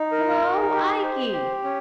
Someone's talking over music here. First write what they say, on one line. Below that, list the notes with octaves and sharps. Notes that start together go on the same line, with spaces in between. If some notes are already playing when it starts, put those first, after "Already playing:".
"Hello, Ikey!"
Already playing: D#4
A#4
D#4
G4
C5
G4
C#4